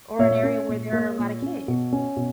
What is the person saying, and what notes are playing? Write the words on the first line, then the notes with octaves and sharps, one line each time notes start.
Or an area where there are a lot of kids?
A#2 C#5 E5
C#4
A#2
A#3
A#2
C#4
B2
C#4
B2